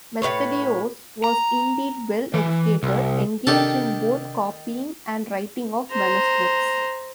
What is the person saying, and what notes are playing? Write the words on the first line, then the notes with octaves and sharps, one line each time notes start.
Methodios was indeed well-educated; engaged in both copying and writing of manuscripts.
A2 C3 B4 C#5
A#5
E3
C2
C3 D#3 D4 G4 A4
C5 A#5